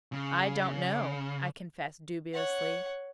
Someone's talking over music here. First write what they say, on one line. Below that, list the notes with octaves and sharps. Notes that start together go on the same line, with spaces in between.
"I don't know," I confessed dubiously.
C#3
C#5 F#5